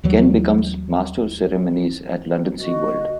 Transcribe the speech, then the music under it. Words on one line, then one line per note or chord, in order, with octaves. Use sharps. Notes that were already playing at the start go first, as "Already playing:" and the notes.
Ken becomes Master of Ceremonies at London Sea World.
D#2 E3 F#3 G3
D3 A#3 F#4 D#5